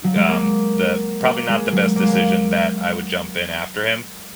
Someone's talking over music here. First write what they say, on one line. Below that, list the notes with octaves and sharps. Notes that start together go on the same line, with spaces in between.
um, the, probably not the best decision that I would jump in after him,
F#3
G#3
A#3
A#3
G#3
F#3
A#3
G#3
A#3